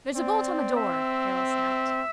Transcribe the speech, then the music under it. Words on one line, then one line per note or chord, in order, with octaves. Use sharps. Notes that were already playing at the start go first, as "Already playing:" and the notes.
"There's a bolt on the door!" Carroll snapped.
C4 D5
C4 E5
E5